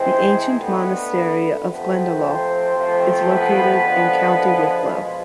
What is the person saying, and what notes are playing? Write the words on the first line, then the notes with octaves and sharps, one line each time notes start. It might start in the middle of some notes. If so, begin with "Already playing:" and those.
The ancient monastery of Glendalough is located in County Wicklow.
Already playing: C3 E3 G#3 C4 C5
D3 A3 B3 B4
C3 F3 A3 B3 B4
C4 C5
C3 F3 A3
B3 B4
D3 F3 G#3
B2 F3 G#3 F4